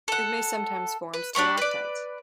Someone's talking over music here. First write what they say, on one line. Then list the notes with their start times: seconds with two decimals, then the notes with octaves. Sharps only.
It may sometimes form stalactites.
0.08 A4 F#5
1.14 B4
1.35 D4 G4 B5 C#6
1.57 B4 D5